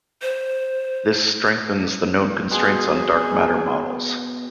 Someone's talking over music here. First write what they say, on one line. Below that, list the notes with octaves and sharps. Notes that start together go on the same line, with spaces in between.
This strengthens the known constraints on dark matter models.
C5
B2 G#4 C6 D6